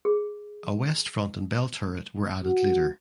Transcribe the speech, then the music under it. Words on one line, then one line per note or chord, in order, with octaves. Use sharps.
A west front and bell turret were added later.
G#4
F#4